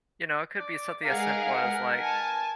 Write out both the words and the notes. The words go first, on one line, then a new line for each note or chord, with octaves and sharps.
you know, it could be something as simple as like
D5
G#3 D#4 G#4 A#4 B4 F5 F#5
G#5 A5